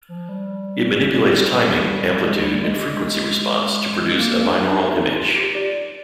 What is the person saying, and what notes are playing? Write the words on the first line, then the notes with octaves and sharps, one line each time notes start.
It manipulates timing, amplitude and frequency response to produce a binaural image.
F3
G3
G3
G3
G#3
G3
G3
G#3
A#3
D4
D#4
D#4
F4
G4
D5